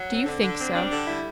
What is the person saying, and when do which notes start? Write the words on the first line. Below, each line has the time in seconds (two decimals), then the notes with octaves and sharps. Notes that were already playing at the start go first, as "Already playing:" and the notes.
"Do you think so?"
Already playing: F#3
0.09 C4
0.25 D3
0.42 D3
0.58 C4
0.75 G3 D4
0.91 D3
1.07 G3 E4